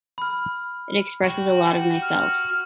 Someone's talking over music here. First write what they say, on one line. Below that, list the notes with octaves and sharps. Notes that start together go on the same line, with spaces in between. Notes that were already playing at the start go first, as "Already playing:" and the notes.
It expresses a lot of myself.
B5 F6
F#4 G4
F6